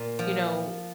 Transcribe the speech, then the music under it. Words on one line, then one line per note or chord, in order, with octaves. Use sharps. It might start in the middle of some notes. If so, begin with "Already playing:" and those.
you know,
Already playing: A#2
F3